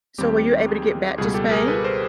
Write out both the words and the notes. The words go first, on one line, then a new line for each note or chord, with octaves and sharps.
So were you able to get back to Spain?
D#2 D#3 G3 C4 G4
G#4
C#2 B2 G3 G#4
G4 A4
G#4 A#4
A4 B4
A#4 C5